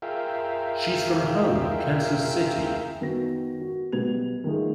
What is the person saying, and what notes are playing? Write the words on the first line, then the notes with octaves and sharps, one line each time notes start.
She's from home — Kansas City.
F4 G#4 A#4 E5 F5 G5
D#3 B3 F#4 A#6
F#4
B1 G3 B3 G#6 F7
D#3 F3 A3 D#4 F4 G#4